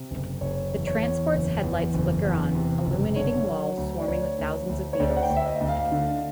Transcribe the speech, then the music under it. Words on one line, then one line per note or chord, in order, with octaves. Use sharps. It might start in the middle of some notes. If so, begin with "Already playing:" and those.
The transport's headlights flicker on, illuminating walls swarming with thousands of beetles.
Already playing: C3
F#1
F#1 C#5
E2
C#5
E2
F#1
E2
F#1
E2
C3
F#1
D3 C#5
F#3
D2
D5
D2 C#5
D2
D2
C#5
D2 D5
F#5
G5
D2
E5
D#5
D2
F5
D3